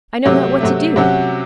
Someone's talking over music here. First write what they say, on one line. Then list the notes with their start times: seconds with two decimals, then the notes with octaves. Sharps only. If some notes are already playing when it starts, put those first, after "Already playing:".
I know not what to do.
0.24 C3 F#3 A3
0.61 C3 F#3 A3
0.96 C3 F#3 C#4 F#4